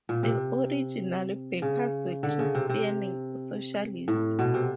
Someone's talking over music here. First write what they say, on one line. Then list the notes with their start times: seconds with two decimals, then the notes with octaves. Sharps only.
The original backers were Christian Socialists.
0.09 A#2
0.23 C3
1.62 C#3
2.23 D3
2.39 C#3
2.55 C3
2.70 C3
4.08 A2
4.39 B2
4.54 C3